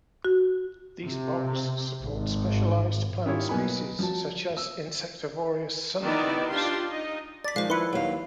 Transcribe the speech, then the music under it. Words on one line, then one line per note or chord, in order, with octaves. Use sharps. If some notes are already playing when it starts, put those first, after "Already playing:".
These bogs support specialised plant species such as insectivorous sundews.
F#4
C3
G#1
D#3 C#4 E4 F4 G4 C#5
B1 A#3 B3 G#5 B5
F3 F#3 A5
E6
D#3 B3 D#4 E4 D5
D4 F4 G4 C6
D#4 D#5
D5 A6 B6
D#3 F3 G#3 C5 F5
E4 B4 C6 C#7
D#2 F#3 F5